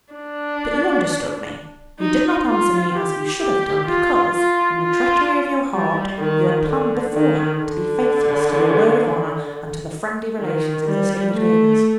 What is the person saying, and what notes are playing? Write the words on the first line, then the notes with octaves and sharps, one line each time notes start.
But you understood me; you did not answer me as you should have done because, in the treachery of your heart, you had planned beforehand to be faithless to your word of honour and to the friendly relations existing between us.
D4
D#4
F4
G4
G4
F4
F4
F4
G3
D#3
D3
D#3
D3
D#3
G3
A3